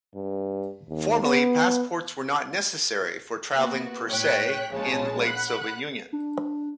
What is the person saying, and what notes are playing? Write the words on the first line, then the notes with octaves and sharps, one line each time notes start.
Formally, passports were not necessary for traveling per se in late Soviet Union.
G2
D#2
B3
A#3 B3 F#4
A2 C#5 G5 F#6 B6
A#1 C#3 G#3 C#5 A5
F#5 B5 F#6
D4